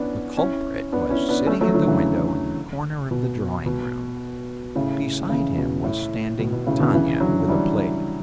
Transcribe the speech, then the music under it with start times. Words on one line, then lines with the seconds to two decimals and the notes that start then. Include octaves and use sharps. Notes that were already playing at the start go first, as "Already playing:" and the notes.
The culprit was sitting at the window in the corner of the drawing room; beside him was standing Tanya with a plate.
Already playing: B3 C#4 D4 E4
0.37 C#4 E4
0.92 B3 D4
1.10 C#4 E4
1.28 B3 D4
1.47 A3 C#4
1.61 F#3 A3
1.74 D3 F#3
1.88 C#3 E3
3.11 B2
3.66 B2
4.75 A2 C#3
5.29 C#3 E3
5.58 B2
5.84 A2
6.39 B2
6.52 B2
6.66 A2 C#3
6.79 B2 D3
6.94 C#3 E3
7.20 D3 F#3
7.48 E3 G3